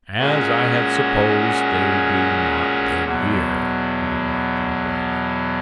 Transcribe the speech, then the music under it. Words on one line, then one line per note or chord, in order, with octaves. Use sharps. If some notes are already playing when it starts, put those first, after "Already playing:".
"As I had supposed, they do not live here," he remarked to the driver.
A#2 G#3 C#4 F#4
E2 B2 F#3